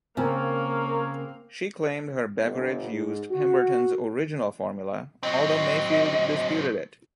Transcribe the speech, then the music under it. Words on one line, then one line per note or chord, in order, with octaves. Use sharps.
She claimed her beverage used Pemberton's original formula, although Mayfield disputed it.
C#3 A#3 C4 A#4 C#5 F5 A5
G1
G#2
F#4
F#3 C4 D#5